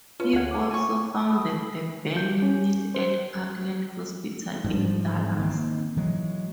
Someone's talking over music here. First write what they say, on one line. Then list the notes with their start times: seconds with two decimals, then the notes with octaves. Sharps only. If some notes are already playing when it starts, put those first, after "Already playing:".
He also founded the burn unit at Parkland hospital in Dallas.
0.20 C#4 F4 B4
0.33 D2 C#4 F#5 G#6
0.51 D6
0.71 G#5 C#6
1.30 B5 D#6 E6
2.17 G6
2.42 C#4
2.95 C5
4.64 G#2 F3 G3
5.39 D#3 A#3 C4
5.97 E3 F#3 G#3